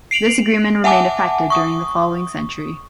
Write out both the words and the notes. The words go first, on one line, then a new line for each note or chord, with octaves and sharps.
This agreement remained effective during the following century.
C7 D7 F7 F#7
E5 F#5 G#5 A5 D6
C#6 D#6